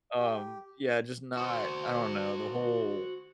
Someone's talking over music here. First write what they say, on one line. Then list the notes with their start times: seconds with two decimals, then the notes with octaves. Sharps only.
um, yeah, just not I don't know, the whole
0.17 G4
1.37 F#4 C5